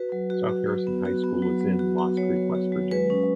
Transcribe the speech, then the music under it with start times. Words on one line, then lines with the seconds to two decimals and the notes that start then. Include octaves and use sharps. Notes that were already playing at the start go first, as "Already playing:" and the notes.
South Harrison High School is in Lost Creek, West Virginia.
Already playing: F#4 B4
0.12 F#3
0.30 F#4
0.49 F#4
0.67 F#3
0.87 B3
1.05 F#4
1.24 B3
1.42 F#3
1.61 F#3
1.79 F#4
1.98 F#4
2.17 F#3 C#5
2.36 F#3
2.55 F#4
2.72 F#3
2.91 G#3 B4
3.10 C#4